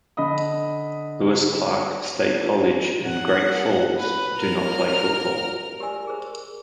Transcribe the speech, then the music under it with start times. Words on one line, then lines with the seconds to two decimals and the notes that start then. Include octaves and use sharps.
Lewis-Clark State College and Great Falls do not play football.
0.17 D3 D#5 B5 D#6
3.03 F#5
3.97 B4
4.38 A#4 F6
5.80 G4 A#4 D5 G#5 E6
6.07 G#4 A#4 C5